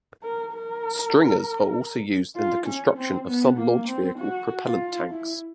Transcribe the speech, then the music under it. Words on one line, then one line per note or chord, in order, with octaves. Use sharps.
Stringers are also used in the construction of some launch vehicle propellant tanks.
A#4
A#4
F4
C#4
C4
B3
A#3
C4
F#4
F4
E4